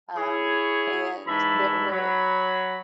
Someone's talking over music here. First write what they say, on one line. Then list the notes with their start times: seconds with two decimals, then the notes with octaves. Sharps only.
um, and there were
0.16 E4 G#4 C#5
1.27 G#2 E3 E5 A5 B5
1.90 F#3 B5